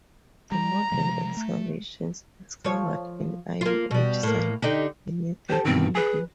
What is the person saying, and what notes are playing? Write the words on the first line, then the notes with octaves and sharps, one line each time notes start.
The modern excavations discovered an Iron Age site beneath the Roman villa.
G3 A#5
C3 F3 G#3
A3
F3 C#5
A#3 F4
B2 G3
A2 A#3
D3 D#4 G4
G4 A4 C5
G2 B2 D#3 C4
G#4 B4 G#5